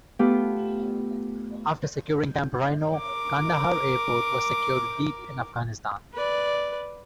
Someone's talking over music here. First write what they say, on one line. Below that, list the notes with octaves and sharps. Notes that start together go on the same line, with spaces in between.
After securing Camp Rhino, Kandahar Airport was secured deep in Afghanistan.
A3 B3 F4 G4
A#4 D6
B4 D5